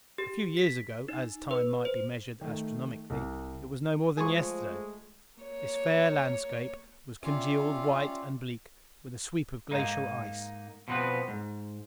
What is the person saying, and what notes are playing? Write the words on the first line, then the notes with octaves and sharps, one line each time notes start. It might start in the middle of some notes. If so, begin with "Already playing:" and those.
A few years ago--as time might be measured astronomically, it was no more than yesterday--this fair landscape was congealed white and bleak with a sweep of glacial ice.
G4
B6
D#4
B4
C5
D#3 A3
C2
F3 G#3 A3 G#4 G#5 C#6
A#3 C#5
C#4 F4 G4 D5 E5
G#2 A#3 D#4
B2 F3 B3 C4 B4
G#2